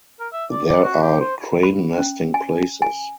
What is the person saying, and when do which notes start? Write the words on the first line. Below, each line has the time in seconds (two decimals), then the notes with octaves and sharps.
There are crane nesting places.
0.20 A#4
0.33 E5
0.50 D5
0.69 D5
0.84 F#4
1.02 G4
1.21 C5
1.63 B5
1.98 C#4
2.34 G#5
2.82 G#5